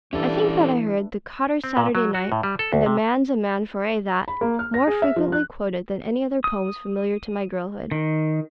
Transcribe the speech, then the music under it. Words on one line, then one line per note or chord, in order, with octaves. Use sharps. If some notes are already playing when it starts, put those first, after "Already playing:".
I think that I heard the "Cotter's Saturday Night" and "A man's a man for a' that" more frequently quoted than any other poems familiar to my girlhood.
E3 G3 C#4 D4 A4 B4 E5
C4
A#2
F#3
F#4
A2
G3
A4
D2
C3
B5
A#3
F6
A#6
G#4
E5
F3
F#6
D#6
D#3